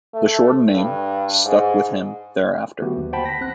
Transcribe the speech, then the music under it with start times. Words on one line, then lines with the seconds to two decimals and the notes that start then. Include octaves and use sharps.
The shortened name stuck with him thereafter.
0.14 A3
0.75 G2
1.45 G#2
2.82 D3 F#3 A3 B3 F#4 G4
2.97 D#2
3.13 C5 F#5 G5 A5 B5
3.25 A#6 B6
3.40 A1 C4 F#6